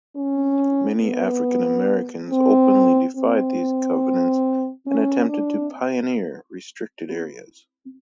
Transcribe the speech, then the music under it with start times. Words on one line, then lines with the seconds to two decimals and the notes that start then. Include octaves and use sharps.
Many African Americans openly defied these covenants and attempted to "pioneer" restricted areas.
0.16 C#4
1.02 B3
2.31 C4
3.16 C4
4.87 C#4
5.29 D4